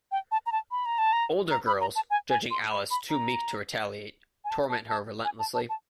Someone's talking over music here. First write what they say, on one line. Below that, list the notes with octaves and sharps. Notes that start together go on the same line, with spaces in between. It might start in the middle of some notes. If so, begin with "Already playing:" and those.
Older girls, judging Alice too meek to retaliate, torment her relentlessly.
G5
A5
A#5
A5
B5
A#5
A5
A#5
A#5
B5
A#5
A5
G#5
G#5
C6
B5
B5
A#5
G#5
A5
A5
A5
G#5
A5
A5
A5